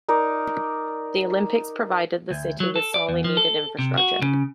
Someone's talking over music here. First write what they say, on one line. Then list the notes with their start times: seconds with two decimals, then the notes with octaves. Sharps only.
The Olympics provided the city with sorely needed infrastructure.
0.08 D#4 A#4 D5
2.31 D2
2.60 F#3
2.76 A4
2.94 D5
3.09 E2
3.24 F3
3.37 A4
3.79 C3
3.98 F#4
4.22 C#3